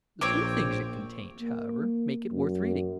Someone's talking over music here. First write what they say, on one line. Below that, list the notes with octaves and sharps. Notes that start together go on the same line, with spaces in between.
The true things it contains, however, make it worth reading.
A#1 C4 C#5 D6
A#3
F#2